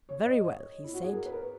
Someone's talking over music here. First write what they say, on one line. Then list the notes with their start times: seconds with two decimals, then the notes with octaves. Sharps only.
'Very well,' he said.
0.09 C#5
0.26 D#5
0.44 C#5
0.84 E4
0.94 F#4
1.04 G#4
1.14 A#4
1.26 B4
1.32 A#4